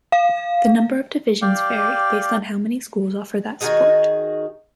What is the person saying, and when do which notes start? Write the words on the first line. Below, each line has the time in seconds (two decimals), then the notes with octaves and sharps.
The number of divisions vary based on how many schools offer that sport.
0.12 F5
1.42 G4 D5 F5 G5
3.61 D#3 F#4 G#4 D#5